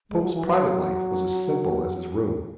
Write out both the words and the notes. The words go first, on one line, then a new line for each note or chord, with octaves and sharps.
The Pope's private life was as simple as His room.
G#3
F#3
E3
F#3